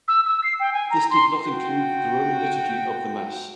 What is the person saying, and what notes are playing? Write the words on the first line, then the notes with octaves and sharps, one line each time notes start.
This did not include the Roman Liturgy of the Mass.
E6
E6
C7
G5
G#5
A#5
C6
F#4 G5